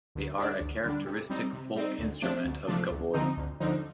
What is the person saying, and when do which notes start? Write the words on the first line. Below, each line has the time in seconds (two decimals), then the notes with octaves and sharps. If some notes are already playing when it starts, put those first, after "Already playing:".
They are a characteristic folk instrument of Gavoi.
0.15 D2
0.38 D3 G3 D4
0.61 D2
0.84 D3 G3 D4
1.06 C3
1.30 G3 C4 D#4
1.53 C3
1.75 G3 C4 D#4
1.99 D2
2.22 C3 F3 A3 D4
2.45 D2
2.67 C3 F3 A3 D4
2.91 D2
3.13 D3 F3 C4 D#4
3.37 D2
3.60 D3 F3 C4 D#4